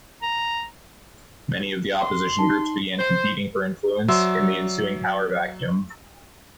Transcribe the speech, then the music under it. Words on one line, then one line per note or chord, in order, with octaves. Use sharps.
Many of the opposition groups began competing for influence in the ensuing power vacuum.
A#5
C6
D#4 A5
C5
F#3 C5 D5 E5